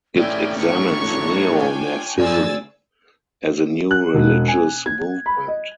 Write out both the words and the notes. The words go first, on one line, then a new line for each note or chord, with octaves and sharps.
It examines neo-Nazism as a new religious movement.
A3 C#4 E4 D5 G5 G#5
D4 D#4 F4 C#5 C#6
G5 G#5
F#2 F3 C4 G#4 D5 G#5 E6 A6
F#6
E1
G#5
G#6
B5
D#5